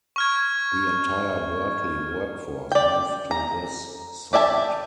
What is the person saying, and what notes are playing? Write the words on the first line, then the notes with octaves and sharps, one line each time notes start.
The entire Birtley workforce moved to this site.
C#6 F6 G#6
D5 G5
A#5
G4 D5 E5 G#5 A5